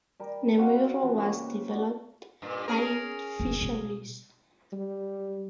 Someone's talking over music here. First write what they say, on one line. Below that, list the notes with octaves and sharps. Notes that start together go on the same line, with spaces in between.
Nemuro was developed by fisheries.
G3 A#4
C4 F#4 F5 F#5
E3 F3 B3 C4
C#3 A#3 G4 C#6
B4
F#4 D5
G2 A#2
C#4 G#4 A#4
F#1 F#2
B2 G3
G3